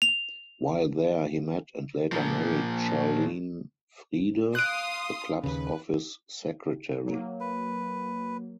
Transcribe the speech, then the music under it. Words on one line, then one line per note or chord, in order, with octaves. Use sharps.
While there, he met and later married Charlene Friede, the club's office secretary.
F7
A#2 F3
F5 C6 D#6 F#6 D7
D#2 C#3 B4
F#3 A#3
B4